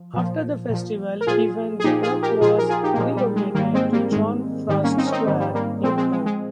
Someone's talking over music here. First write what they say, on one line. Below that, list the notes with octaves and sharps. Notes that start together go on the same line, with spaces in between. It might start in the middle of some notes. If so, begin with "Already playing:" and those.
After the festival event the clock was relocated to John Frost Square, Newport.
Already playing: F3
A#2 F3
A#2 F3
A#4
A#2 F3 F4 G#4
G#4
A#2 F3 D#4 G4
F4 G#4
G4 A#4
A#2 F3 F4 G#4
A#4
F4 G#4
D#4 G4
A#3
A#2 F3 G#3
G3
G#3
G#2 D#3 G3 A#3
G#3 C4
G3 A#3
G#2 D#3 G#3
G#2 D#3 G3
A#3 C#4
C4 D#4
C#4
C4 D#4
G#2 D#3 G3
G3
G3 A#3
A#2 F3 G#3 C4
G#3 C4
G#3
G#3